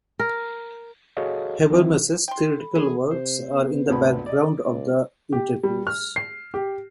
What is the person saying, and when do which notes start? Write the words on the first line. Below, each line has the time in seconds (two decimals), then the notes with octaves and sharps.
Habermas's theoretical works are in the background of the interviews.
0.19 A#4
1.17 F#4 G#4 A4 C#5 D#5 F5
1.70 D#3 F#3 C4 E4
2.28 G5 C6
2.58 A4 B5
2.75 E3 A#3 C#4 G#4
3.11 C3 C5
3.52 B3
3.89 G#1 D2 B5
4.26 D5 D#5
4.67 C#2
5.33 G4
5.63 G3
5.87 F6
6.16 C7
6.54 G4